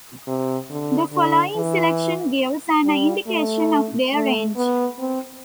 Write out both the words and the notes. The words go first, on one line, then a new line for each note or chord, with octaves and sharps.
The following selection gives an indication of their range.
C3
D3
D3
E3
G3
A3
A3
B3
C4